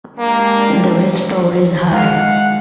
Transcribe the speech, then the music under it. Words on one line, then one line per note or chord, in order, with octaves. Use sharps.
The west tower is high.
G#3 A#3 D4 G4
G#3 F5 F#5